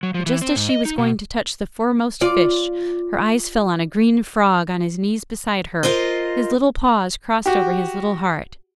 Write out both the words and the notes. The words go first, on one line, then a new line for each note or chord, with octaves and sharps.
But just as she was going to touch the foremost fish, her eyes fell on a green frog on his knees beside her, his little paws crossed over his little heart.
F#3
F3
E3
C4
G#2
D#5
D#4
B2
F4 D5
F4 A#4 C5 D#5
F#4 G4